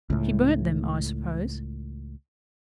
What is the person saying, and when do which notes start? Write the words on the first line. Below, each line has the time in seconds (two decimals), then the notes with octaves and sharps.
She burnt them, I suppose.
0.10 C#2 A2